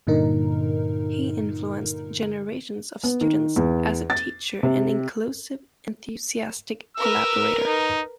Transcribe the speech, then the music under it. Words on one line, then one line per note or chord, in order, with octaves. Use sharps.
He influenced generations of students as a teacher and inclusive, enthusiastic collaborator.
G2 A#2 D3 D#4 A#4
B3
D#3
E2
A6
C3
A#4 B4 E6
D#4